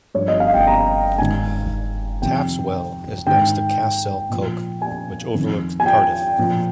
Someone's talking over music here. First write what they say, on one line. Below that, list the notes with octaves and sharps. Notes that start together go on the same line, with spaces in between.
Taff's Well is next to Castell Coch, which overlooks Cardiff.
G2 F3 C#5
D#5
F5
G5
A#5
G#2 D#3 G#5
F2 C3 D#3 G5
G#2 D#3 G5
A#2 F3
G#5
F2 D#3
G#5
G5
A#2 F3